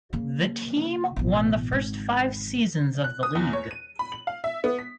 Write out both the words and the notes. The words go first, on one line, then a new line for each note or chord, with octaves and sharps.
The team won the first five seasons of the league.
C#3 A#3
A1 B2
G#1
F#6
D#6
E2
C#5
D#7
B5
F#7
F5
E5
B3
B6